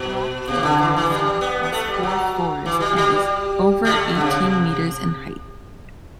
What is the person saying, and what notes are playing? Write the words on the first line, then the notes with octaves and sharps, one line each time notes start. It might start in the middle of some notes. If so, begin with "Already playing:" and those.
Rockfleet Castle has four floors and is over eighteen metres in height.
Already playing: B2
C3
E3
D3
E3
D3
E3
G3
B3
B3
A3
G3
F#3
E3
G3
G3
G3
A3
D3
C3